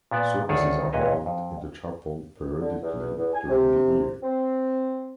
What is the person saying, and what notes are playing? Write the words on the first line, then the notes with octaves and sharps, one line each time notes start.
Services are held in the chapel periodically during the year.
A#2 B3 D5 A5
D2 D#3 G#4 A4 C#5 D5
C#2 A#2 B4 C#5 D#5
F2
D3
E2
E2
G#5
C3
C4